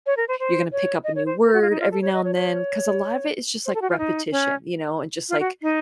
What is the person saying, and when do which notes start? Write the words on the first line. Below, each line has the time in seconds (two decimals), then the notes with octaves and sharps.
you're gonna pick up a new word every now and then, 'cause a lot of it is just like repetition, you know, and just, like,
0.06 C#5
0.17 A#4
0.28 C5
0.40 C5
0.72 C#5
1.04 D#5
1.16 C#5
1.26 C5
1.45 A#4
1.54 F#4
1.62 F4
1.70 D#4
1.80 F4
1.91 A4
2.02 C#5
2.14 D#5
2.24 C#5
2.35 C#5
3.66 C5
3.75 A4
3.82 F#4
3.90 F4
3.98 D#4
4.31 C#4
5.29 F4
5.40 F#4
5.62 D#4